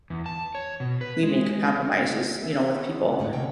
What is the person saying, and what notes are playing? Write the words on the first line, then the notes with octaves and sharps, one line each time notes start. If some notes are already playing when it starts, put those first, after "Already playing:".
we make compromises, you know, with people.
E2
A5
C#5
B2
B4
G#3
E5
B3 C#4
A2 D3 G#3
C3 A#3 C#4 G5